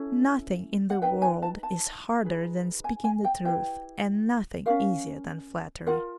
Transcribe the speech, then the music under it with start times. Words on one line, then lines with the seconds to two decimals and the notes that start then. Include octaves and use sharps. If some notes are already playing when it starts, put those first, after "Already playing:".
Nothing in the world is harder than speaking the truth and nothing easier than flattery.
Already playing: C#4 E4 A4
0.90 F#5
1.02 D#4 G#4 B4 G5
1.22 G#5
1.42 A5
1.63 A5
2.24 D#4 G#4 B4
2.84 G#5
3.04 G#5
3.25 G5
3.45 E4 G4 B4 G5
4.66 C#4 F#4 A#4 F5
5.87 F4 A#4 F#5